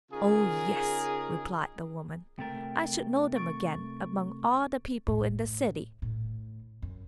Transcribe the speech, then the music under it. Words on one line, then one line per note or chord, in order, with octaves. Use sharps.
"Oh yes," replied the woman, "I should know them again among all the people in the city."
C#3 D#4 F4 G#4 A#4
C3 A3 A#4 G5 A6
C#6 A6 D7
A2
A2
F#2